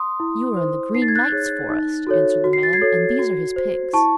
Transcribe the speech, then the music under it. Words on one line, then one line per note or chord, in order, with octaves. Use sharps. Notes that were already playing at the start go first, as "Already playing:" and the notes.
'You are in the Green Knight's forest,' answered the man, 'and these are his pigs.'
Already playing: C6 D#6
E4
C5
D#4 C7
A6
G#6
F#6 A6
G#4 C#5
D#4
F#4 A4 C#5
F#4
C7
A6
G#6 C7
A4 C#5
F#4
C5
E4 A5 C#6